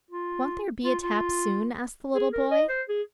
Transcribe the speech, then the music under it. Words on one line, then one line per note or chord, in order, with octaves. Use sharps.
"Won't there be a tap soon?" asked the little boy.
F4
F4
F4
G#4
A#4
D#5
C5
G#4